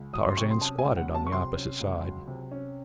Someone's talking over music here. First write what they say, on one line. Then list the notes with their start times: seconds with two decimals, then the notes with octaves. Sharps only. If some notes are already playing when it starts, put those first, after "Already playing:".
Tarzan squatted on the opposite side.
Already playing: C#2
0.13 F#3 D#6
0.30 C6
0.37 C3 C#6
0.51 C6
0.61 C#4 A5
0.79 G#5
0.85 C#2
0.97 F#5
1.09 F#3
1.15 A5
1.27 C#6
1.32 C3 C6
1.57 C#4
1.80 C#2
2.04 F#3
2.28 C3
2.51 C#4